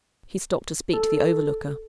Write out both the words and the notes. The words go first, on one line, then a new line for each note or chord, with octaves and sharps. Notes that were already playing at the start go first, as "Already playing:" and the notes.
He stopped to speak to the overlooker.
A4